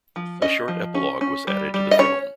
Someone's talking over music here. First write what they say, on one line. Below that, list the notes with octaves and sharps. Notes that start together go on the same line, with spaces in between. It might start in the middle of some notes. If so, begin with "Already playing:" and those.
A short epilogue was added to the film.
F3
C#4 D#5
F3
C#4
C#4
G3
G3
D#5
C#4 C#5